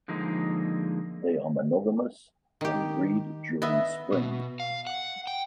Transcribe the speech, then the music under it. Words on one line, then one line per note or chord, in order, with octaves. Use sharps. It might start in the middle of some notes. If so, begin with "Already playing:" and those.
They are monogamous and breed during spring.
D3 F3 G#3 A#3 D#4
D#3 G4
B3 D#5 E5
B2
F5
F#5
G5